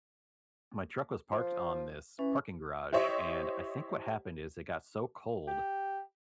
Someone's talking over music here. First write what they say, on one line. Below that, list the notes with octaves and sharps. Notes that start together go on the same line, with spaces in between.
my truck was parked on this parking garage, and I think what happened is it got so cold,
F3
E3 C#4
E4 G4 C5 C#5 D#5 E5
G4